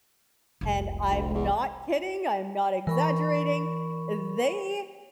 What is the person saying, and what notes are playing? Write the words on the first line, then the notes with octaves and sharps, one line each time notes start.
and I'm not kidding, I'm not exaggerating, they
F1 C2
D2
E2
E3 A#4 B5 C#6